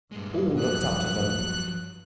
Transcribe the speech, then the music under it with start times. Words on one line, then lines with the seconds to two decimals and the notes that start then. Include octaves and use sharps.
All looked up to them.
0.12 G2 A#2 G#3
0.57 F3 F#3 F#6